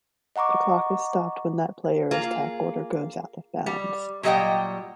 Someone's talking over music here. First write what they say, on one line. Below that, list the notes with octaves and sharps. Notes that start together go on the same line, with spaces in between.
The clock is stopped when that player is tackled or goes out of bounds.
D#5 F#5 A#5 C#6 D6
A#3 F4 G#4
G3
A#2 F#3 G3 D#5 F#5 G5